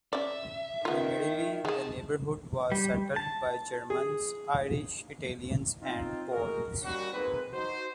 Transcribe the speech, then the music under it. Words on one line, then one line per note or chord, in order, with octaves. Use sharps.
Primarily, the neighborhood was settled by Germans, Irish, Italians and Poles.
C#4 D5 E5
D#3 B3 F4
D#3 G#3 G#4 A5
G3
A5
G#4
C4 D#4 F4
G#3 F#4 G#4 A#4
D#3 G3 A#3 C#4 F#4
G#3 A#3 C4 D#4 B4
D#4 F#4 C5